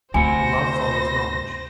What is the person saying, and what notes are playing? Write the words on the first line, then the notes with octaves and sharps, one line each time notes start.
For love follows knowledge.
D2 C3 E4 C5 F#5 G#5 A#6